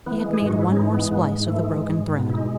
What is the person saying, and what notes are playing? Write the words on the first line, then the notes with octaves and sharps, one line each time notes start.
He had made one more splice of the broken thread.
E3 B3
B3
G#3
G#4
G#2 F#4
G#2 E4
C#4
E3 D#4
G#3 B3
G#2 B3
G#2
E3 A3
G#3
G#2
G#2
B2 B3
E4
G#3 D#4